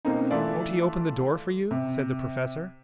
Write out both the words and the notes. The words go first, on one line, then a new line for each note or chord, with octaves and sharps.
"Won't he open the door for you?" said the Professor.
B2 A#3 C4 C#4 D#4
E3 A3 F4 D5
C3